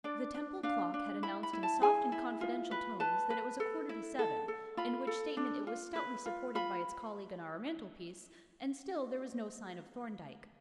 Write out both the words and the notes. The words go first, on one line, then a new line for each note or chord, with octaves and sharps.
The Temple clock had announced in soft and confidential tones that it was a quarter to seven, in which statement it was stoutly supported by its colleague on our mantelpiece, and still there was no sign of Thorndyke.
D4 D5
D4
D4 F5
D4
E4 B5
B5
E4
A5
G#4 G#5
E4
F4
B4
B4 A5
B4
A4
E4
A4
A4
F4 B5
A4
D4
F4
B4
F4
F4 B5